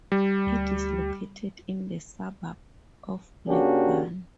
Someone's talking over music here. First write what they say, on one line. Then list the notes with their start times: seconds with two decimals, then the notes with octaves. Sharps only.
It is located in the suburb of Blackburn.
0.12 G3
0.47 D2
3.48 C#3 A#3 C#4 D4 F#4 G4